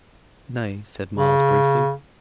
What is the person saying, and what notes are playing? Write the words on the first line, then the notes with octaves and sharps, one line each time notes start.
"Nay," said Myles, briefly.
C#3